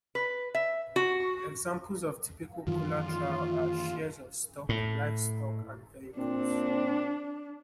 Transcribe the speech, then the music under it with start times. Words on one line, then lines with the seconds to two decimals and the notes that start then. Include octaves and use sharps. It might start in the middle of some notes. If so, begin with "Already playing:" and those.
Examples of typical collateral are shares of stock, livestock, and vehicles.
0.15 B4
0.55 E5
0.96 F#4
2.67 F#2 D#3 E3 F4
4.69 A2
6.18 A#2 C4 D4